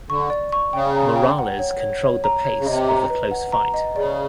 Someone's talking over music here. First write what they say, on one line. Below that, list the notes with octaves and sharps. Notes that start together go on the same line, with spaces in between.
Morales controlled the pace of the close fight.
D3 C#6
D5
C#6
C#3 G5
A#5
G5
F#5
C#5
C#5
C#5
A#5
C#5
C#3
C3 D#5
A#5
B4
F#5
A#5
D#5
C#3 D5